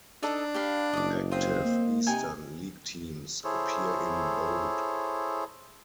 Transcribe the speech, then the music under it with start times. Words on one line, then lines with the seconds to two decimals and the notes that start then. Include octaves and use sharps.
Active Eastern League teams appear in bold.
0.23 D4 D#4 A4 D#5
0.54 G4 B4 F5
0.93 F#1 D#5 D6
1.32 C4 F4 D#5
1.65 A#3
2.07 C3 D#4 G5 G#5
3.44 E4 G#4 A4 C5 C#5